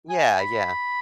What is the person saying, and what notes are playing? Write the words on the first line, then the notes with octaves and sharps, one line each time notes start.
Yeah, yeah.
G#5
B5